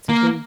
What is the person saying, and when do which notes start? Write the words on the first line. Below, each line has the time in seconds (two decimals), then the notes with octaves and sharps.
to go
0.09 A#3